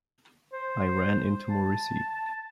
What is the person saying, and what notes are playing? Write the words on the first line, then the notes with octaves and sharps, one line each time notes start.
I ran into Morisi.
C5
A5